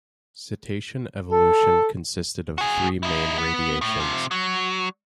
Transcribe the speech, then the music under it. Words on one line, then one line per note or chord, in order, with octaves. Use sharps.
Cetacean evolution consisted of three main radiations.
A4
F#4 G#4
D#4 E4
B3
A2
C3 F3
F#3